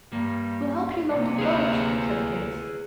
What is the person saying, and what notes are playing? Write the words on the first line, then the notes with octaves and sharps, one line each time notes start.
"We'll help you load the boat," said Kit.
G2 G3 A#3
C3 A#3
D2 G4 G#4 B4 C#5